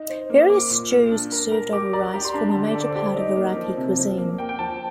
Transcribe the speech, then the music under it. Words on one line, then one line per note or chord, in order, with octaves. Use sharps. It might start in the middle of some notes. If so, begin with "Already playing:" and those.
Various stews served over rice form a major part of Iraqi cuisine.
Already playing: D#4
C5
A#3
A#3 D6
A#2
A#2
D4
A#4
A#4
G4 D6
D5 A#5
G4 A#5
C6
D4 A#5
A5
D3
D5
A4
D5
C5
G4 D5
D#4
A#3
F3
C3
F3
A#3
A#3 G5
G5
F3 A5